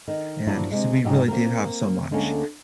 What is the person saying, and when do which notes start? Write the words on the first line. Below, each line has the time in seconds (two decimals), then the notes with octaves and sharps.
and 'cause we really do have so much,
0.08 D#3
0.47 G2 F3 F#3 A#3 D4 E4
0.71 C3 G#3
1.04 G#2 B2 F#3 D#4 G4 D#5
1.28 A#3 C4 A#4
2.11 D2 D3 G#3 A#3 C#4